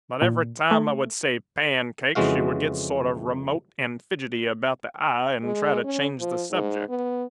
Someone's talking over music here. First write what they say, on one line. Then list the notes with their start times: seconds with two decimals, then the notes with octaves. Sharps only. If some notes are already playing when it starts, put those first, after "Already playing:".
But every time I would say 'pancakes' she would get sort of remote and fidgety about the eye, and try to change the subject.
0.22 A#2
0.71 A3
2.15 F2 C#3 E3 G#3 F#4 F5
5.43 G#3
5.84 C#4
6.20 F3
6.51 G#2
6.89 B3